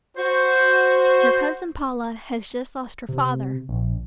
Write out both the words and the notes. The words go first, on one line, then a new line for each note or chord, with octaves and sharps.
Your cousin Paula has just lost her father.
F#4 C5
C3
A#1